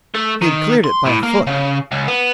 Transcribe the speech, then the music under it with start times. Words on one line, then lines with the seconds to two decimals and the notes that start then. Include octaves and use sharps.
He had cleared it by a foot.
0.14 A3
0.42 D#3
0.84 C6
1.06 A2
1.23 A#3
1.47 C#3
1.92 C#2
2.08 B3